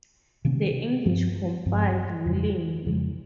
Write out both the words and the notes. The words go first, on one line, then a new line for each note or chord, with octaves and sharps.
The English complied willingly.
C3 D#3 A#3 C#4
G2 F3 C4
G2 F3 C4
F2 C#3 F3 G#3
F2 C#3 F3 G#3